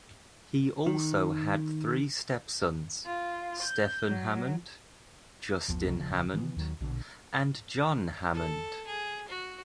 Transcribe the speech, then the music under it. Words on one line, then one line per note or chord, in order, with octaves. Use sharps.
He also had three step sons, Stephen Hammond, Justin Hammond, and John Hammond.
D#3
F4
G6
F#3
F#1 D2 F3 B3
C2 C3 F#3 C4
D#1 C#3 F3
D#3 E3 B3
D#2 D#3 F#3
A#1 B2 D3
A4
G#4
F#4